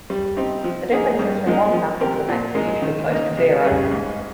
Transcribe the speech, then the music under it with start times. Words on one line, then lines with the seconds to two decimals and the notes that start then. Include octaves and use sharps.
The differences from one sample to the next are usually close to zero.
0.10 G3
0.37 C4 D#4 G4
0.64 F3
0.92 A#3 D#4 G#4
1.19 G2
1.46 F3 G#3 D#4 A#4
1.73 F3
2.00 C4 G4 A#4
2.28 A#2
2.55 G#3 D#4 A#4
2.82 D#3
3.10 A#3 D#4
3.37 C3
3.64 G3 C#4 G#4
3.91 G#2